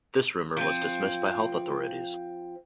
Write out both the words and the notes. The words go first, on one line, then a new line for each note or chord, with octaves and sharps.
This rumor was dismissed by health authorities.
F3 C4